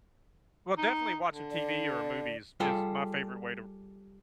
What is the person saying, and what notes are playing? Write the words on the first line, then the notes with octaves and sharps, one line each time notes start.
Well, definitely watching TV or movies is my favorite way to
D#4
D3
D5
G3 F4 G#4 A4